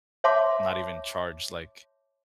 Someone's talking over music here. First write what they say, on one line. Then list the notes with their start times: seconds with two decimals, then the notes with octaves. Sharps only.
not even charge, like
0.24 C#5 E5 F#5 A5 C6 D6